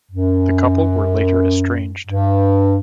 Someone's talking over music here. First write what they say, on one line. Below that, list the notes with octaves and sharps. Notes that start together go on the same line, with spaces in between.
The couple were later estranged.
F#2
G2